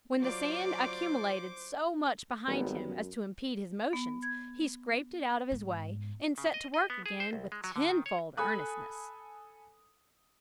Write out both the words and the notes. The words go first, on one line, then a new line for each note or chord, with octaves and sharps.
When the sand accumulated so much behind him as to impede his motions he scraped it out of his way, and set to work again with tenfold earnestness.
F#3 F4 C5 D5 D6
G#1 F#3 G3 B3
F#2
B3
G#6
G#2
C#3
D#5
D#5
B3
G#4
C5
C2
G#3
F#3
D3
D#3
C#5
A4 G#5 B5 D#6 F#6